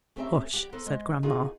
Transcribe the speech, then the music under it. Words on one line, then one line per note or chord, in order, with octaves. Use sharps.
"Hush!" said grandma.
A3 C4 C#4 G4 A#4 E5
G3 G4 F#5
B3 A4 A#4 C5
G#3 C5
B3 D#4 F4 F#4 G#4 A#4